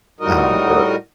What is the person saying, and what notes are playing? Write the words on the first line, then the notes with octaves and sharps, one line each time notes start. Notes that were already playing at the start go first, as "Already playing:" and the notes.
um, work.
A2 G3 D#4 F#4 A#4 D#5